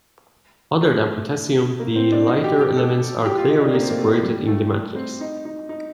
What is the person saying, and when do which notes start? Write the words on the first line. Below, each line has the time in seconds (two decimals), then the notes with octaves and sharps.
Other than Potassium, the lighter elements are clearly separated in the matrix.
0.81 A3
1.79 A#3
1.96 C4
2.12 D4
2.28 D#4
2.44 G4
2.61 G4
2.77 A4
3.26 G4
3.38 F4
3.49 D#4
3.61 D4
3.74 A#3
3.82 C4
3.90 A#3
3.98 A3
4.23 G3
4.47 A3
4.71 A3
4.96 C4
5.21 D#4
5.45 D#4
5.69 D#4